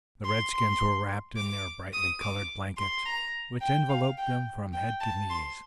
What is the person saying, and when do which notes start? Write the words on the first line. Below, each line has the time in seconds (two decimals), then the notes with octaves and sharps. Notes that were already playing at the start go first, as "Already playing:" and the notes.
The redskins were wrapped in their brightly colored blankets, which enveloped them from head to knees.
0.24 C6
0.52 C6
1.36 D6
1.93 D#6
2.20 D6
2.77 C6
3.05 A#5
3.61 G5
3.89 F5
4.17 G5
4.73 G5
5.00 A5
5.30 C6